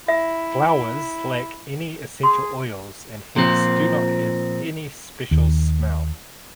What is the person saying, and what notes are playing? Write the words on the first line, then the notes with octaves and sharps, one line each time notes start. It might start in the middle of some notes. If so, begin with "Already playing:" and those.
Flowers lack any essential oils and hence do not have any special smell.
E4 E5
G#4 C6
A#2 F3 C4
D#2